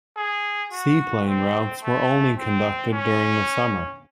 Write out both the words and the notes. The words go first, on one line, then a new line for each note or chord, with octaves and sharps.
Seaplane routes were only conducted during the summer.
G#4
F#4
C4
A3
C4
C#4